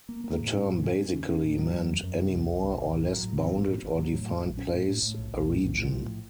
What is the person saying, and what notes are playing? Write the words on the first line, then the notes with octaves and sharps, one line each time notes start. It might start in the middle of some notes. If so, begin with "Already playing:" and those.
The term basically meant "any more or less bounded or defined place, a region".
A#3
A#3
A2
C#4
A2
C#4
C#4
C#4
C#4
A2
F#3
F#2
F#2
F#2
C3
C2
C2
C2
A1
A1
F#3
A2
C4
A1
A2
A1
F#3
A2
F#3
A#1
C#4
A2
A2
A2
A#1
A#1
A2
A#1
F3
A2